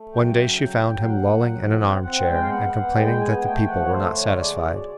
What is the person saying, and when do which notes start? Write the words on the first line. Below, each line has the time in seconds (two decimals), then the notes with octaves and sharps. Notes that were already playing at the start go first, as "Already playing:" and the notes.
One day she found him lolling in an arm-chair and complaining that the people were not satisfied.
Already playing: A3
0.13 F#3 G5
0.37 C#3
0.61 F#3
0.84 F#3
1.03 F5
1.08 A#2 F#5
1.32 F#3
1.55 F3
1.79 C4
2.02 C4 F#5
2.26 G#3 G5
2.41 F5
2.49 B3 F#5
2.73 B3
2.96 G#3 G5
3.20 B3 G#5
3.38 G#5
3.44 A3 G5
3.67 F3 F#5
3.84 C#5
3.91 A3 C5
4.15 D3 C#5
4.38 G#3 D5
4.62 B2